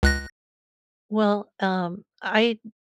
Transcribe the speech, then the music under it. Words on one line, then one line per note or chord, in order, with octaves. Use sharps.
Well, um, I
C#2 F#6 A#6